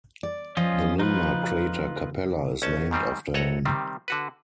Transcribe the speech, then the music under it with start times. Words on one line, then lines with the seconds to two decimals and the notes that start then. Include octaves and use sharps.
The lunar crater Capella is named after him.
0.23 D5
0.57 F3 C#4 F4 D#5
0.99 D#4 F4 B4
2.62 A#1 C#4 A5
2.91 G#2 D#3 G3 C4
3.34 C2 A4 C#5 D#5 F#5 A#5
3.65 C3 D#3 G3 C4
4.08 D3 F#4 B4